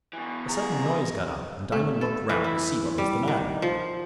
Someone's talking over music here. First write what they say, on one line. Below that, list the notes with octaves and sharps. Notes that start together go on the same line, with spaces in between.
A sudden noise got up, and Diamond looked round to see what was the matter.
B2 E3
G#4 A#5
A3
A4
E3
E4
G3
D#3
F3